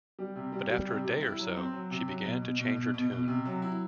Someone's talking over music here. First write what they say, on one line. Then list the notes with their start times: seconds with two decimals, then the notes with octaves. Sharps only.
But after a day or so she began to change her tune.
0.19 G3
0.35 C3
0.52 G3
0.70 G3
0.87 C3
1.04 G3
1.22 E4
1.39 F#3
1.56 C4
1.73 F#3
1.91 C3
2.07 F#3
2.25 B2
2.42 B2
2.59 B2
2.76 B2
2.94 B2
3.11 B2
3.28 C3
3.45 F#3
3.62 E4